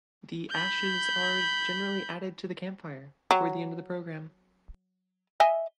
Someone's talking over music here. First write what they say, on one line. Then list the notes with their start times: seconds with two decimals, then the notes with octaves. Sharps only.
The ashes are generally added to the campfire toward the end of the program.
0.50 B5 G6
3.31 F#3
5.40 D#5 E5 G#5